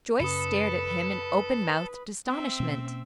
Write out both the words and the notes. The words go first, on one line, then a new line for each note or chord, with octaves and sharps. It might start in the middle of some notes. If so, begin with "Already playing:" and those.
Joyce stared at him in open-mouthed astonishment.
F#2 C#3 C#4 A4 B4 B5 D#6
C4 E5
B2 A#3 C#4